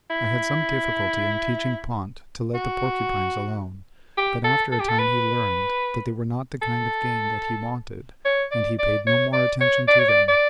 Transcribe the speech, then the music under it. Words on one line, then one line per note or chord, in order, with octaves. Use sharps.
I had some difficulty in teaching Pont to let the porcupines alone, but after a time he learned that they were not the kind of game that he wanted, and he paid no more attention to them.
E4
F#4
G4
A4
A4
G4
A4
B4
A4
C#5
D5
D5
C#5
D5
C#5
D5
C#5
D5
D5